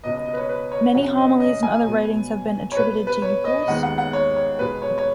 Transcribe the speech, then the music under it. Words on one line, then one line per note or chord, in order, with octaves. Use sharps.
Many homilies and other writings have been attributed to Eucherius.
C#2 B2 B3 D#5
D#5
D#5
B4
C#5
B4
C#5
F#2 C#3 F#3 C#4 F#5
D#5
D#5
G#5
B2 F#3 B3
C#5
B2 B3 B4
B4
C#5
D#5
D#5
D#2 D#3 G#3 B3 F#5
F#5
F#5
C#5
C#5
B2 G#3 B3 B4
C#5
C#5